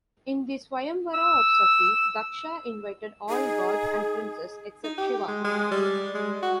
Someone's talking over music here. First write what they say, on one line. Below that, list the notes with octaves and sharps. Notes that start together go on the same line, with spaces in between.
In the Swayamvara of Sati, Daksha invited all gods and princes except Shiva.
E6
D#4 G#4
D#4
G4
G#3
G#3
G3
G#3
F#4